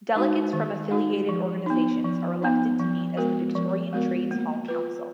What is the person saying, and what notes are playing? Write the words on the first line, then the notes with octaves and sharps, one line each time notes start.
Delegates from affiliated organisations are elected to meet as the Victorian Trades Hall Council.
G#3 D#4 F#4
D#3
G#3 D#4 F#4
F3
B3 D#4
F3
B3 D#4
F3
G#3 B3 F#4 A#4
F3
G#3 B3 F#4 A#4
A#3
F4 B4